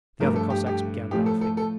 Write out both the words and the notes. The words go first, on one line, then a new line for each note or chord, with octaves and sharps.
The other Cossacks began laughing.
G2 F3 A3 A#4
A4
G4
G4
A2 F3 A3 G4
A4
A4
A4